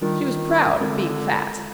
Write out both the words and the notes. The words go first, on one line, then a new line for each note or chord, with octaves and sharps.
She was proud of being fat.
D#3 G3 D4 F4 A#4
D#3
D3 G#3 C4 F4 A#4